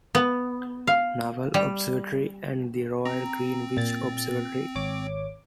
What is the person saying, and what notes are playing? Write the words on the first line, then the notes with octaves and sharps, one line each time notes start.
Naval Observatory and the Royal Greenwich Observatory.
B3
F5
G3
C4 A#5
A#2 A6
G#1 C#5 D6